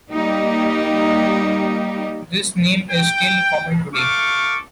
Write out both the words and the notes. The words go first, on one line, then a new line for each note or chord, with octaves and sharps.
This name is still common today.
G3 A#3 D#4 G4
G5
A3 A4 F5 C#6 D6